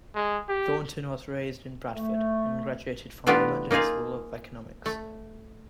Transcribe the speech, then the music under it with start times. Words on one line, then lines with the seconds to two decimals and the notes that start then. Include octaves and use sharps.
Thornton was raised in Bradford, and graduated from the London School of Economics.
0.15 G#3
0.49 G4
1.95 A3
3.27 E3 A3 B3 D4 F4 G4
3.71 A#3 D#4 F4 G#4 F5
4.86 A3